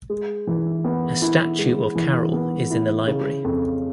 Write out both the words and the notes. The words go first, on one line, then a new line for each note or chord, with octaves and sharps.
A statue of Carroll is in the library.
G#3
E3
B3
E4
G#3
E3
B3
E4
C#3
F2